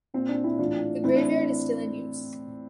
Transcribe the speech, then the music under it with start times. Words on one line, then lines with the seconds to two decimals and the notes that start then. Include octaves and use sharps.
The graveyard is still in use.
0.14 A#2 C4
0.29 D4
0.44 C4 E4
0.59 A2 E3 D4 F4
1.04 A2 E3 C4 E4
1.16 D4